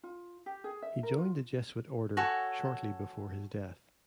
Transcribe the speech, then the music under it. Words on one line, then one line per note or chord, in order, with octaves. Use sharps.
He joined the Jesuit order shortly before his death.
F4
G4
G#4
E5
A#4
F4
F#4 A4 C#5 G#5